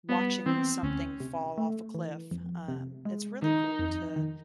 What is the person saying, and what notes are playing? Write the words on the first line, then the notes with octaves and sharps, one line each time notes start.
watching something fall off a cliff, um, it's really cool to
G3 B3
E3 C4
D2 C#4
C3
A3
E3
F2
C3
G#3
D#3 D#4
F2
D#3